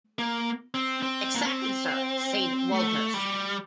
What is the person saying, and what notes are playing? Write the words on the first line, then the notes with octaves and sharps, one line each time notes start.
"Exactly, sir," said Walters.
A#3
C4
C4
A#3
C4
A3
G3